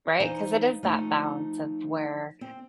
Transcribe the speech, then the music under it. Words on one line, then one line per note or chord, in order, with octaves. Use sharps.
Right, 'cause it is that balance of where
E3 D#4 C5 D#5 F5
F3 A3 D#4
C4